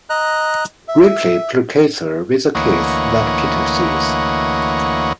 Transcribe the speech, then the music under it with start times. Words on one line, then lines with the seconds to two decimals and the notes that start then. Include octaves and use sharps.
Ripley placates her with a kiss that Peter sees.
0.10 D#5 A#5 F#6
0.88 E5
2.55 D2 E3 A#3 C#5 D#5 F#5